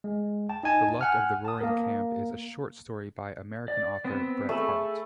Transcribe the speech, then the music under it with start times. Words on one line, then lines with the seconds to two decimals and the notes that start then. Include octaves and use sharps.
"The Luck of Roaring Camp" is a short story by American author Bret Harte.
0.04 G#3
0.49 G5 A5
0.63 D#4 D#5 G#5 A5
1.01 F#5 G#5 F6
1.45 A5 D#6
1.61 A#3 A#4
3.68 D5
4.05 B3 C4 D#6
4.49 A3 G#4 A4 B5